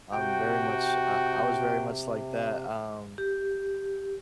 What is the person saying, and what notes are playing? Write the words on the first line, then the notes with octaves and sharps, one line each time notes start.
I'm very much I I was very much like that, um
C3 F#4 G5
G4